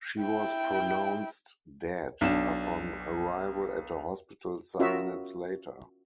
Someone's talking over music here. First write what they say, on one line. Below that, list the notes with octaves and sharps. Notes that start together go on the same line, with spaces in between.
She was pronounced dead upon arrival at a hospital some minutes later.
E4 G5
B1 D4 E7
C#4 F4 F#4 A#4 D#5 E5